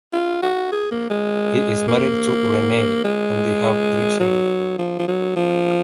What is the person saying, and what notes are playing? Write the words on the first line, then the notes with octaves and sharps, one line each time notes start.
He is married to Renee and they have three children.
F4
F#4
G#4
A#3
G#3
A#3
G#3
F#3
F3
F3
F#3
F3